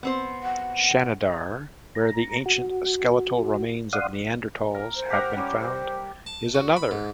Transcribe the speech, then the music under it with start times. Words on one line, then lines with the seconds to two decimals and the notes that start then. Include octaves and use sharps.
Shanidar, where the ancient skeletal remains of Neanderthals have been found, is another.
0.03 B3 C4 C5
0.43 F#5
1.95 A#5
2.46 F#4
3.93 D5 F5 F#5 C6 D#6
4.74 A#4
4.96 C5
5.10 G4 A#4 F#5
5.37 G3 C#4
5.59 C5
6.26 A5
6.55 F#4
6.77 B5
6.91 G#2